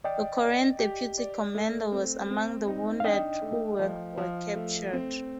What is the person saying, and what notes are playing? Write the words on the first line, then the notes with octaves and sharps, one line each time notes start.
The Korean deputy commander was among the wounded who were captured.
D5 D#5 G5
D5
G4
D5
A3
C4
C4
D#4
F5
D4 D#5 G5
A3
F3
F3
A3
C4